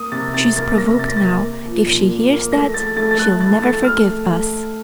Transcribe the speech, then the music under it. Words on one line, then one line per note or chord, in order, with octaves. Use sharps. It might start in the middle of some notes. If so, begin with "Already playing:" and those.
"She's provoked now; if she hears that, she'll never forgive us."
Already playing: A#3 D#6
C3 A6
C3 A6
A#3 A6
C3 A#6
C3 A6
A#6
A#3 A6
A#3
F3
A#2
A#3
A#3
A3 A#6
A3 A6
A3 A6
A6
A3 F#6
A2 A6
A3 A6
A3 F6
A3
A3